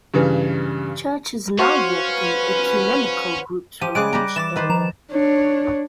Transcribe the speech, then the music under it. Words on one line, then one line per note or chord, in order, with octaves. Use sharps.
Churches now walk in ecumenical groups from each area.
G2 C#3 E3
C#4 F#4 C5 F5
B4
F3 G4 D#7
C#3 G3 G#3 D6 F#6 D7
G3 G4 A#5
E3 D6 A6 E7
D#3 B4 C5
F3 A#5 E7
D4 C#5